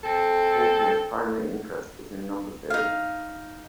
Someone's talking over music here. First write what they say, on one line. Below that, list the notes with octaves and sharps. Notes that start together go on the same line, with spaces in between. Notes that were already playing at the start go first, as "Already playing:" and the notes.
Holdener's primary interest is in number theory.
C4 A4
D#4 F5